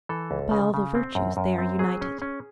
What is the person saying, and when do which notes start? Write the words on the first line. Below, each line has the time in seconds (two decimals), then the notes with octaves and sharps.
By all the virtues they are united.
0.09 E3 A4
0.31 C#2
0.51 C#3
0.74 C#3
0.95 C4
1.15 F#2
1.37 F#2
1.58 C4
1.79 F#3 G#4
2.01 C#4
2.22 C#4